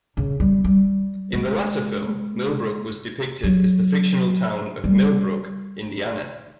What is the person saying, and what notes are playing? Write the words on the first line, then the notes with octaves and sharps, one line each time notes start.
In the latter film, Millbrook was depicted as the fictional town of Millbrook, Indiana.
C#3
G3
G3
G#3
F#3
G3